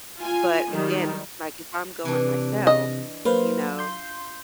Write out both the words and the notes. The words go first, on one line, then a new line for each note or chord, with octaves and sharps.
but, again, like, if I'm going myself, you know,
F4 G#5
D#3 F#3 G3
C3 E3 D4
D#5
F#3 A#3 F4 B4 C5
C6 G6